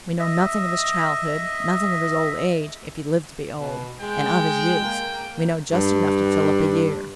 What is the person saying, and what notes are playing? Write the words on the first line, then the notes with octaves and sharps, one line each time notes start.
We know nothing of his childhood, nothing of his old age, if he lived to be old, and of his youth, we know just enough to fill up a year.
D#5 E5
B2
G#3 G5
A#3
G2